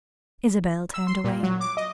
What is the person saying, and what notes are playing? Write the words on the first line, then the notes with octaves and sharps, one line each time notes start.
Isabel turned away.
E6
C6
A#2
F#3
D6
D#5